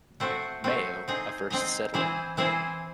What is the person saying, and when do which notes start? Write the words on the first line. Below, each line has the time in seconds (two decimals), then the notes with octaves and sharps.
Mayo, a first settler.
0.20 A3 C4 F#4
0.64 A3 C4 F#4
1.08 C4 D#4 G#4 D#5
1.50 C4 D#4 G#4 D#5
1.94 E3 C4 E4 G#4 C5
2.37 E3 C4 E4 G#4 C5